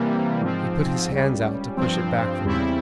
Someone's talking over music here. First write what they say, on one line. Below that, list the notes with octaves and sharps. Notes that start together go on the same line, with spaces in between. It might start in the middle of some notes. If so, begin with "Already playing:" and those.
He put his hands out to push it back from him.
Already playing: C3 E3 G3 A#3
G#2 F3 C4
C#2 C#3 G3
G2 F3 C4
E2 C#3 G3 C4 E4